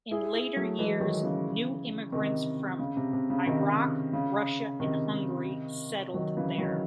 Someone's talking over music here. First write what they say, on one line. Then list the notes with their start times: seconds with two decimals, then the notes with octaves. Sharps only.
In later years, new immigrants from Iraq, Russia and Hungary settled there.
0.11 E4 G#4
0.34 E4 G#4
0.56 F#3 A3
0.79 E3 G#3
1.00 D#3 F#3
1.23 C#3 E3
2.12 C3 D#3
2.79 C#3
2.97 C3
3.13 C3
3.30 C#3
3.46 C3 D#3
4.13 C#3
4.80 C3 D#3
6.14 D#3 F#3
6.37 C#3 E3
6.58 D#3 F#3